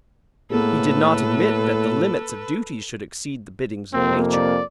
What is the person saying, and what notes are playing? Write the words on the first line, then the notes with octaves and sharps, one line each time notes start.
He did not admit that the limits of duties should exceed the biddings of Nature.
A2 A#3 B3 G#4 A4 B4
F2 C3 A#3 C4
D5